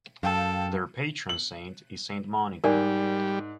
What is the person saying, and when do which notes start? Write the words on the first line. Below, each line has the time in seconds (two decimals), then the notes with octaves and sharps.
Their patron saint is Saint Monica.
0.23 F#2 A4 F5 G5 A5
1.29 F#7
2.64 G#2 G3 A#4 D5 G#5